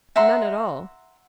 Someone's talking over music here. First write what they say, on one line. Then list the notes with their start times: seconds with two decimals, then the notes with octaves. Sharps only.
"None at all."
0.16 E5 F#5 A#5 C6